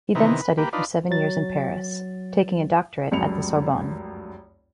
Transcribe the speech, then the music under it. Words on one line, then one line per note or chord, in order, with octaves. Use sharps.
He then studied for seven years in Paris, taking a doctorate at the Sorbonne.
C3 D#3 E3 B3 A#4
B4
A#3 G4 B4
D4 D#4 F4 B4
F#3 A6
F1 C#2 F#2 C#7 F7